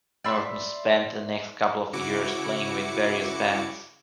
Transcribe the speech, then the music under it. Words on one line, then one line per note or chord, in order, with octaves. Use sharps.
Norton spent the next couple of years playing with various bands.
D5 E5 B5 C6
C#3 E4 F#4 D6 C#7